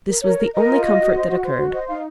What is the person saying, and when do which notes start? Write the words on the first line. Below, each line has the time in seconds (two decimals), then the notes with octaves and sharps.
This was the only comfort that occurred.
0.08 A#4
0.23 A#4 C#5
0.39 A#4
0.53 A#4 D#5
0.68 F4
0.83 F#4
0.98 F#4
1.14 C5
1.27 F#4
1.43 C5
1.57 F#4
1.72 C5 D#5
1.89 D#4 F5